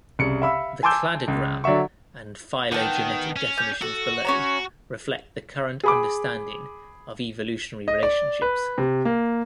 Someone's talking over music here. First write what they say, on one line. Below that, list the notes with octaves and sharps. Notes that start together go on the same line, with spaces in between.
The cladogram and phylogenetic definitions below reflect the current understanding of evolutionary relationships.
C2 C#3 C#7
E5 F5 B5 E6
G#5 A5 C6 D6 E6 G6
C#2
D3 F#3 D5 E5 C#6
D#3 B3 G5 A5
C#4
G6
F#4 A4
C#4 C#5 A#5
G#4 B5 D6
D#5
D5
B4
C3
A#3